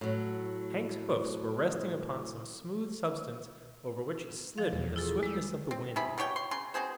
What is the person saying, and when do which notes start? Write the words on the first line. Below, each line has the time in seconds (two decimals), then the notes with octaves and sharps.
Hank's hoofs were resting upon some smooth substance over which he slid with the swiftness of the wind.
0.01 A2 F#3
4.58 F3 F5 A6
4.73 E2 B2
4.96 E4 F4 G#4 A4
5.23 G3 G#3 E6
5.71 C4
5.96 C3 E4 G#4 B5
6.18 B2 G4 C#5 G5
6.36 C6
6.51 C#3 C6
6.74 B2 C4 G#4 C5